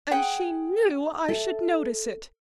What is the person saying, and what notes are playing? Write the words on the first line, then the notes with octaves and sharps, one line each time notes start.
And she knew I should notice it.
G#4 F#5 G5
A4 E5